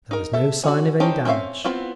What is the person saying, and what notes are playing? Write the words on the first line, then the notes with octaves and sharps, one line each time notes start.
There was no sign of any damage....
D#4 A#4
A4 E5
C#4 F#4
C#4 D#4 G4 C5 A5
C4 C#4 A4 E5 F5
B3 C4 E4 F4